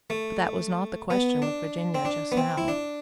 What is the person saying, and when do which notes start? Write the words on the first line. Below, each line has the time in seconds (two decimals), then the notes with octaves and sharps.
But that was not the question with Virginia just now.
0.10 A3
1.10 B3
1.42 D4
1.95 C4
2.05 D4
2.32 B3
2.37 C4
2.58 E4
2.68 D4